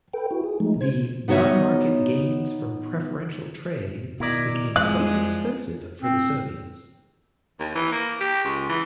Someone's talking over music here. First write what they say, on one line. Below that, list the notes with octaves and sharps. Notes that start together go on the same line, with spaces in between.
The "non-market gains from preferential trade" became quite expensive for the Soviets.
A4 B4 G5
E4 F#4
G#4
F3 G#3 A3 D#4
C5 G#6
B3 D#4 F#4 C#5 E5
B2 D#3 E4 A#4 D5
F2 F3 G#3 F#6
C4
D#2
E3
A#3
G4
C#2
E3